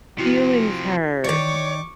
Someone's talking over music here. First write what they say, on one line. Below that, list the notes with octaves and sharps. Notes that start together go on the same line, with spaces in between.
feelings hurt.
C3 F3 E4 F#4
D#3 C#5 D5 C#6 D6